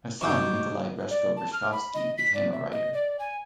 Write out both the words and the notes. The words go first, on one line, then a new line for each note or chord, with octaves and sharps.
Her son Nikolay Breshko-Breshkovsky became a writer.
G2 B2 D#3 C#6 D6 G6
D5
A5
F6
B5
D#5
B6
D5
E5
D#5
D5
G#5